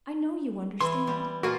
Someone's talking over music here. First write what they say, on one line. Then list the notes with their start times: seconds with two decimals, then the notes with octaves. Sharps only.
I know you understand.
0.81 E3 C6
1.07 G3
1.43 A#2 A#3 F4 F#4